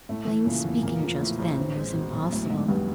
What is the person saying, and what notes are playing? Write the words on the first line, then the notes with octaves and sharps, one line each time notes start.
Plain speaking just then was impossible.
A2 A3
E3
A#2 C#3
E2
A#2 A#3
F3
A2
A1
C4
G#3
B2
B1
A2 F#3
G#2 B2
E2 G2